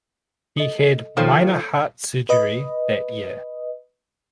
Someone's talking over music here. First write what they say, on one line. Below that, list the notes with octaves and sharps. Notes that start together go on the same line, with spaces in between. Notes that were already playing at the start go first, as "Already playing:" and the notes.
He had minor heart surgery that year.
A4 D#5
D#3 F3 F4 A4 C5 C#5
B4 D#5